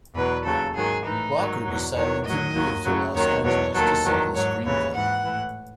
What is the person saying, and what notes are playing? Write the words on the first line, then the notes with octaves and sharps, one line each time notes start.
Walker decided to move to Los Angeles to sell his screenplay.
E2 B2 F#3 B4
D#2 C#3 F#3 A4
G#2 D#3 F#3 G#4
A2 E3 D#4
G#2 D#3 F#3
E2 B2 F#3
E2 D#3 F#3 C#5
A2 F#3 D#5
D#2 D#3 F#3
F#2 C#3 F#3
D#2 D#3 F#3 C#5
E2 B2 F#3 C#5
D#2 D#3 F#3 A4
E2 D#3 F#3
G#2 F#3 C#5
D#2 C#3 E3 C#5
G#2 E3 F#5
A2 E3